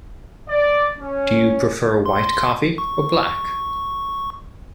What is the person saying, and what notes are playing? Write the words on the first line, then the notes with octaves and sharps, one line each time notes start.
Do you prefer white coffee, or black?
D5
C#4
C6
C#6